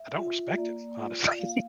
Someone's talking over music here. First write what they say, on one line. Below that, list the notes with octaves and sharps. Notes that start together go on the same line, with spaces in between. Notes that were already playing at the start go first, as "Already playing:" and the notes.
I don't respect it, honestly,
Already playing: E5
F4
A#3 D5
F4
A#3 F5